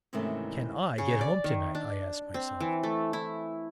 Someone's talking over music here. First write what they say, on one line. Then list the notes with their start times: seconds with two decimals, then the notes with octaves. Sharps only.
"CAN I get home tonight?" I asked myself.
0.13 G#2 C3 D#3 E3 A3 C#4
0.98 C#3
1.21 D5
1.44 D#3
1.75 D4
2.34 C4
2.60 E3
2.83 A3
3.13 E4